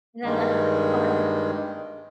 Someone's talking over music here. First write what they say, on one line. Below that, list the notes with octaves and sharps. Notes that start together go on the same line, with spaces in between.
And then that go ahead.
G2 D#3 G#3